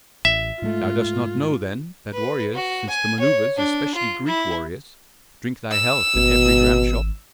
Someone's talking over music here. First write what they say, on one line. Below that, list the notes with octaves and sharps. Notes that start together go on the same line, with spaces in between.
"Thou dost not know, then, that warriors, since the manoeuvres, especially Greek warriors, drink thy health in every dramshop."
A1 E5
G#2 G#3 A3 F4
B4
F#4
G#5
C#5
D4
F4
E4
E6
G#1 B2